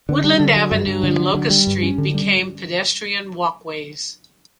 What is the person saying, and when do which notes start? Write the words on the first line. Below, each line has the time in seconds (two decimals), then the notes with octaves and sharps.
Woodland Avenue and Locust Street became pedestrian walkways.
0.09 D3
0.24 G3
0.40 D3
0.56 F#3
0.71 G2
0.87 G2
1.03 D3
1.19 F#3
1.35 D3
1.50 G3
1.67 G2
1.83 C#4
1.98 D3
2.14 G3